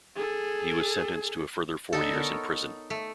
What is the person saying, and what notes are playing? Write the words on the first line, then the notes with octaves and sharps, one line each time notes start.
He was sentenced to a further four years in prison.
G#4 A4
D3 D#4 A4
B3 A#4 C#5
A3